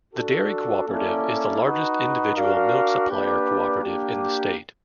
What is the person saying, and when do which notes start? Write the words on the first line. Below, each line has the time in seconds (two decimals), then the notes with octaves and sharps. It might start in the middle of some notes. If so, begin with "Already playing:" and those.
The dairy cooperative is the largest individual milk supplier cooperative in the state.
0.13 D4 F#4 A4
0.87 A#3 C#4 E4 A4 D5
1.61 D#4 F#4 B4
2.35 D4 F#4 A#4 D5 F5
3.08 A#3 D4 G4 B4 D5
3.83 A#3 D4 G4